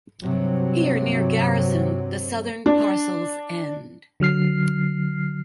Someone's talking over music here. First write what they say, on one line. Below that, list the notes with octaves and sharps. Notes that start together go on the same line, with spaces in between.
Here, near Garrison, the southern parcels end.
G2 C3 F#3
D4
D3 F#3 F6 C7